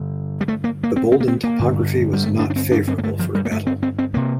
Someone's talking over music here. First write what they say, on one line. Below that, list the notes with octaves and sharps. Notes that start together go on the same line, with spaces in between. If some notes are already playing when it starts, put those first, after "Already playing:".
The Boldon topography was not favorable for a battle.
Already playing: G2 D3
G3
A3
A#3
A#3
C4
C4
A#3
C4
A#3
G2 D3
G3
A3
D4
D4
C4
D4
C4
A#3
A3
F3
G3
A#3
A3
C4
C4
C4
C3 A#3